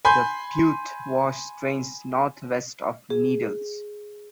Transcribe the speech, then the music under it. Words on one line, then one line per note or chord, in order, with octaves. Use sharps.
The Piute Wash drains northwest of Needles.
G#5 B5 C6 G6
G#4